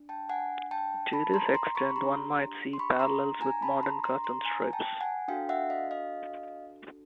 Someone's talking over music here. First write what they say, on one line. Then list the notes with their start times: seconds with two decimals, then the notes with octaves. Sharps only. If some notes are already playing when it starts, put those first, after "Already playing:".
To this extent one might see parallels with modern cartoon strips.
Already playing: D4
0.09 G5 A5
0.29 F#5 G#5
0.71 G5 A5
1.13 A5 B5
1.34 A#5 C6
1.54 A#5 C6
1.75 B5 C#6
1.90 B5
1.96 D4 G4 A#5 C6
2.73 C6
2.79 B5 C#6
2.99 A#5 C6
3.41 G#5 A#5
3.62 A5 B5
3.83 A#5 C6
4.04 A#5 C6
4.24 A#5 C6
4.45 G#5 A#5
4.73 G5 A5
5.01 F#5 G#5
5.28 D4 F#4 A4 F5 G5
5.49 E5 F#5
5.70 D#5 F5
5.91 D#5 F5